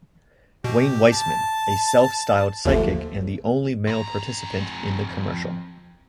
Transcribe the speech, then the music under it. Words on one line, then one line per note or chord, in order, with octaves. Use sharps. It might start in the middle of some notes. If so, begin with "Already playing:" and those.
Wayne Weiseman, a self-styled psychic and the only male participant in the commercial.
B2 G4
A5
G1 D#2 F3 A3
F2 A#5